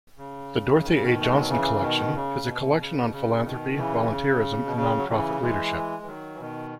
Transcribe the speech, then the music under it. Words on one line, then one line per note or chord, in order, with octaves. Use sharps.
The Dorothy A. Johnson Collection is a collection on philanthropy, volunteerism, and nonprofit leadership.
C#3
D#3
C#3
B2 D#3
A3
G#3
F#3
C#3 E3
B2 D#3
C#3
B2
C#3
B2
C#3
B2 D#3
C#3 E3
C#3
B2
C#3
F#3
C#3 E3
E3 G#3
E3
D#3 F#3
E3
B2 D#3